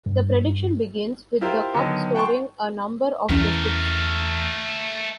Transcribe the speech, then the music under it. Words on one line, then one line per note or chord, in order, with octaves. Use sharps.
The prediction begins with the cup storing a number of the sticks.
G2
E4 F4 G4 A#4 C5 F5
D3 D#3 F#3 B3
F#5 G5 A5 C6 C#6
E2 A3 C#4 A#4